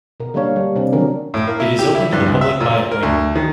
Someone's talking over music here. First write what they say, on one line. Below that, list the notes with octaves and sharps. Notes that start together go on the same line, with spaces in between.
It is open to the public by appointment.
B2 A#4
D3 G3 A#3 D4 C#5 F5
G3
C3 C4 D4
D3 D#3 F#3 C#4 D4 A#4
A2
A#3
E4
G4
E4
G2
C#2
E5
A#2
A#4
D2
D#3